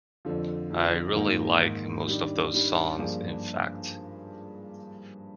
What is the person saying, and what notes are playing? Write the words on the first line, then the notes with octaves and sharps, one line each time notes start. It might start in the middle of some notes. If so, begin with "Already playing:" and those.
I really like most of those songs, in fact.
F2 D3 F3
F2 D3 F3
G#2 D#3 A#3 D#4
G#2 D#3 A#3 D#4
D#3 G3 D4
D#3 G3 D4
G2 F3 A#3 D4 G#4